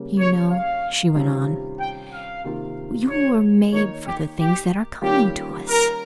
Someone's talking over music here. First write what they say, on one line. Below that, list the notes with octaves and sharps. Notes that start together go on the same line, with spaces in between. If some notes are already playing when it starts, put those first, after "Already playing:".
You know," she went on, "you were made for the things that are coming to us.
Already playing: C#3 G3 A#3
C#5
F5
C3 D#3 G3 C#4 F4
G5
F5
C3 D#3 A#3 F4
C#5
D#3 A#3 D#4 C#5
G4
G4
D#3 G3 A#3 C#4 F4 G4
A#4